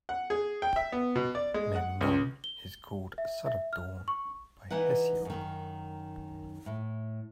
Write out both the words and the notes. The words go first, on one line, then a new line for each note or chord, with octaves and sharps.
Memnon is called "son of Dawn" by Hesiod.
F#5
G#4
G5
E5
B3
B2
D5
G#3
F#5
C#2
G7
E5
E5
F6
C#6
E3 D#4 B4 F#5
F#2 D#3
A2